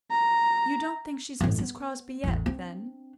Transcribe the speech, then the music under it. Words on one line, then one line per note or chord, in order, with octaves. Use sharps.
"You don't think she's Mrs. Crosbie yet, then?"
A#5
A1 G2
B3
A1 E2
C4 D4